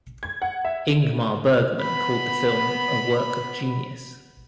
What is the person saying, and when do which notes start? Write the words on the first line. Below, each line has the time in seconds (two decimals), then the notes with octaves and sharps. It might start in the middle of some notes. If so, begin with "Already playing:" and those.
Ingmar Bergman called the film a "work of genius".
0.23 G#6
0.42 F#5
0.65 E5
1.81 B3 B5